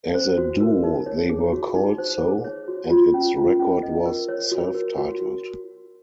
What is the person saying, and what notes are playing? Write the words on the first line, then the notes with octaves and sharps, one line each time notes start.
As a duo they were called So, and its record was self-titled.
C5
F#4
A#4
D#4
C#5
G#4
F#4
D#4
C5
G#4
C#5
F#4
F4
C#4
F4
C#4
D#5
A#4
C#5
F#4
A#4
F#4